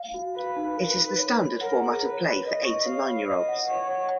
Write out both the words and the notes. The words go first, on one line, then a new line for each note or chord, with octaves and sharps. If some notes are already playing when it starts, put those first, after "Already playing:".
It is the standard format of play for eight- and nine-year-olds.
Already playing: F5
F#4
B4 F5
D#4
A#4 B4
A#4
C#5
C#5
A#4 F#5
G#4
B4 C#5
C#5
B4 D#5
C#6
C#5 F5
B5
B4 D#5
F#5
C#5 F#5
F#5